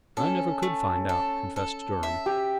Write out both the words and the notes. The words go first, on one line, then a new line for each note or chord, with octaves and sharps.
"I never could find out," confessed Durham.
C#4 A4
A3
A4
A4
E5
G4